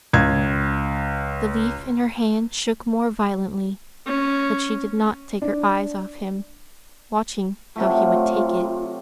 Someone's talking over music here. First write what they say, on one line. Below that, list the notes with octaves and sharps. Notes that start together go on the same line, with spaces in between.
The leaf in her hand shook more violently, but she did not take her eyes off him, watching how he would take it.
C#2 G#6
C#4
D4
C3 F#3 A3 F4